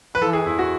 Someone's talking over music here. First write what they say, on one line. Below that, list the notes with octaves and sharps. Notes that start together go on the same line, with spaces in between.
I know.
B4
E3 A4
G#4
E2 E4
F#4